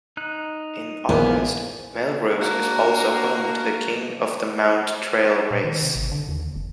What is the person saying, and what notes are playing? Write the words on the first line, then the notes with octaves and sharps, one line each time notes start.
In August, Melrose is also home to the King of the Mount trail race.
D#4 F#6
A#1 A#3 B3 E4 B4 G#5
A#3 D4 F#4 A#4
A#2
D#3
C3
G#1
D3
D#2
F1